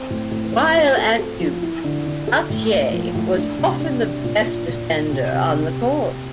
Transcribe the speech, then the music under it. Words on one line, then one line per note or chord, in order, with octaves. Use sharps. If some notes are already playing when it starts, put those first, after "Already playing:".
While at Duke, Battier was often the best defender on the court.
Already playing: C4
A2
A2
C4
F4
A4
A4
F3
E4
D3
D3
A4
A2
A#3
F3
A2
D4
C3
D4
D4
A#2
A#2
A#2
A#2
C3
C3